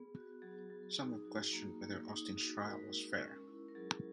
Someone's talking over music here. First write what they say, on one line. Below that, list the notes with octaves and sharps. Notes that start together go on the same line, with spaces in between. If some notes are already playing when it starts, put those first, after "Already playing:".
Some have questioned whether Austin's trial was fair.
Already playing: B3 G#4
F#4
F#3 G#4
F#3
D#4
F#4
A#3
A#3
D#4
F#4
G#3 A#4
G#3
C#4
E4
A#4
F#3 G#4